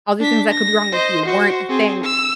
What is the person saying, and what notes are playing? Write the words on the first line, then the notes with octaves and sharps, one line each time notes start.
All these things that could be wrong with you weren't a thing.
D4 B6
A#6
C5 D#5
F#4 C5
C4 G#4
E6